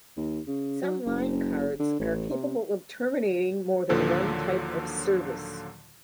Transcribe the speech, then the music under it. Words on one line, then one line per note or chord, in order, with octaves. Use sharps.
Some line cards are capable of terminating more than one type of service.
D#2
C#3
F#3
F#1
D3
A1
C3
D#2 A#2 D3 F3 F#3 A4